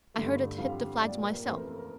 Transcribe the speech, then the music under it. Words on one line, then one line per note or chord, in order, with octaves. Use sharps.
I heard it hit the flags myself.
G2 D3 A3
F2 D3 G3 F5
A#2 G3 D5
A#4
F2 E3 A3 C5
A#4
A4
A#4